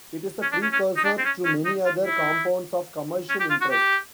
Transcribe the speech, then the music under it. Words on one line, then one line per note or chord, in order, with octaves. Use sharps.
It is a precursor to many other compounds of commercial interest.
C#4
D4
C#4
C#4
D#4
D4
C4
C#4
C#4
D#4
F4
E4
C#4
G4
F4
F#4
G4